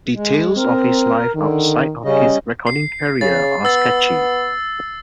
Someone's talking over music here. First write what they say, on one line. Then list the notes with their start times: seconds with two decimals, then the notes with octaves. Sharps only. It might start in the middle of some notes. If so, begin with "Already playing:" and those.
Details of his life outside of his recording career are sketchy.
0.15 G#3
0.57 C4 A#4
1.36 D3 D#3
2.04 C#3 G3 C#4 D#5
2.67 C7
3.21 C#3 A6
3.65 B3 E6 A6